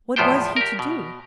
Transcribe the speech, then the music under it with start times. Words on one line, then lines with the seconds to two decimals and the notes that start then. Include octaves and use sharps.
What was he to do?
0.16 E2 A2 F3 B3 C5 G5
0.56 G4 A#4
0.79 B2